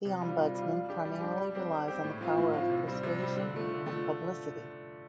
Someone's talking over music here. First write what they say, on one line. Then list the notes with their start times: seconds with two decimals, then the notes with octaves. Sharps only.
The Ombudsman primarily relies on the power of persuasion and publicity.
0.05 C3
0.21 G3 F4
0.39 C3
0.55 G3 F4
0.71 G3
0.89 D4 G4
1.05 G3
1.21 D4 G4
1.37 G3
1.55 C4 G4
1.71 G3
1.88 C4 G4
2.04 A2
2.21 F3 C4 F4
2.38 A2
2.54 F3 C4 F4
2.70 C3
2.87 G3 C4
3.03 C3
3.20 G3 C4
3.36 D3
3.54 F3 A3
3.70 D3
3.86 F3 A3